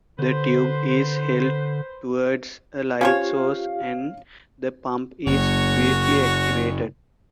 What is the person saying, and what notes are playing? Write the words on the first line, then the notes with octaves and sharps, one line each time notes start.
The tube is held towards a light source and the pump is briefly activated.
D3 B4 C5
C#4 F4 G4 C5 C#5 F5
F#1 F#4 C#5